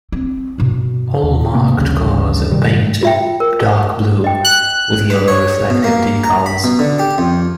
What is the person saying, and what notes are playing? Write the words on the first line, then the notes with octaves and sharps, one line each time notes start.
All marked cars are painted dark blue with yellow reflective decals.
C4
G2 B2
D#2
D2 C3 A#3
A1 D2 G2 C#3
G2 C3 D#3 G3
F4 E5 G5
A#4
D#5 G5
F#6
B4
C#5
B2
A#3
A#5
B5
B2
D3
G4
F2